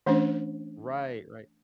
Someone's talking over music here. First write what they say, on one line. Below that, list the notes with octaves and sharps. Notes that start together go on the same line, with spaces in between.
Right, right.
E3 A3 C#4 D4 C5